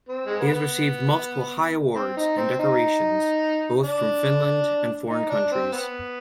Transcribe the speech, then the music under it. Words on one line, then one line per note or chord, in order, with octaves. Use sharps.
He has received multiple high awards and decorations both from Finland and foreign countries.
C4
G#3
B3
C4
D#4
C4
D#4
D4
D#4
D4
C4
B3